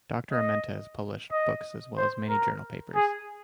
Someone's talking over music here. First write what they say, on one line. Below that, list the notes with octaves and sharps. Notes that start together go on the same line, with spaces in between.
Doctor Amenta has published books as well as many journal papers.
D#5
D#5
C5
A#4
G#4